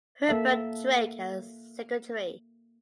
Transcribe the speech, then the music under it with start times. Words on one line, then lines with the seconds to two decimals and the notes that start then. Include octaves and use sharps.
Herbert Drake as secretary.
0.29 A#3 A4 E5